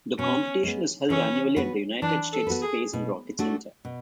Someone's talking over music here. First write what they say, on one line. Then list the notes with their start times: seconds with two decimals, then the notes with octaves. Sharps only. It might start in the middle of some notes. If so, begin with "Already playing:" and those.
The competition is held annually at the United States Space and Rocket Center.
0.19 B2 C#4
0.64 G#3 B3
1.10 E3 C#4
1.56 B3 F#4 B4
2.02 E3 D4
2.33 A4
2.47 B3 F#4 B4
2.62 G#4
2.93 B2
3.39 A3 D4 F#4 A4
3.85 B2